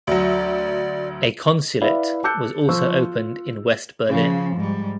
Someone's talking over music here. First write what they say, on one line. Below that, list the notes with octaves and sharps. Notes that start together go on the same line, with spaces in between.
A consulate was also opened in West Berlin.
D2 F#3 D5
E4 B4 D5 E5 F5 B5
A5 D6 E6 F#6 G6 C#7
F3 F4 C5 C#6 E6
F4
C#3 F3
G#2 G3